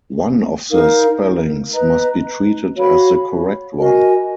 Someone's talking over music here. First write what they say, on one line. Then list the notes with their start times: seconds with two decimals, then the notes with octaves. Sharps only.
One of the spellings must be treated as the correct one.
0.70 D#4 A#4 F5
1.72 B4 D#5 A#5
2.75 F#4 C#5 F5 B5
3.78 F#4 A#4 D#5 G#5